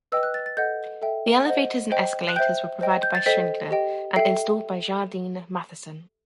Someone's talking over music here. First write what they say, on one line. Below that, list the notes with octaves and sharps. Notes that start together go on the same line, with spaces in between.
The elevators and escalators were provided by Schindler and installed by Jardine Matheson.
B4 D#5 G5 E6
F#6
A6
A6
A4 D#5 F#5 G6
A4 E5 G5
C5 D#5 F#5
C5 D#5 G5
F#6
C5 E5 G5 G6
C5 D#5 G5
G6
A6
A4 C5 D#5 G5 B6
G4 D#5 G5
A4 E5 G5 C7